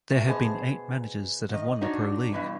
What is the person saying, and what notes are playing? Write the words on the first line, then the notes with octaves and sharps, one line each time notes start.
There have been eight managers that have won the Pro League.
A3
B2 G#4 C5 A5
D#3 D#5
D4 D#4 F#4 C#5 D5
G2 B2 E3